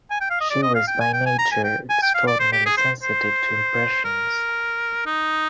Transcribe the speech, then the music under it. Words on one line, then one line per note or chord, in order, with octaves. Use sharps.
She was by nature extraordinarily sensitive to impressions.
G#5
G5
F5
D#5
D5
D#5
F5
G5
G#5
G5
G#5
A#5
G#5
G5
G#5
G5
F5
D5
C5
G4
G#4
C5
C5
A#4
D#4